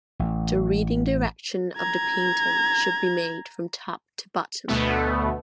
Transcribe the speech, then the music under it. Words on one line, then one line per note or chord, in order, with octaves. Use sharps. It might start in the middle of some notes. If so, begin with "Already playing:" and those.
The reading direction of the painting should be made from top to bottom.
A1
A#5 G#6
D2 B2 A3 B3